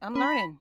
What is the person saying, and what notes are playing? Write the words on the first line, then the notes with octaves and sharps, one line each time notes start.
I'm learning.
C#4 B5